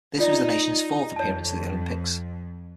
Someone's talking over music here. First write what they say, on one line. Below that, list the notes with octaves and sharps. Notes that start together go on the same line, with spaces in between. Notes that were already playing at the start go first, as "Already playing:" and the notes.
This was the nation's fourth appearance at the Olympics.
D#4 F4 D5 D#5
F2 C#5 A5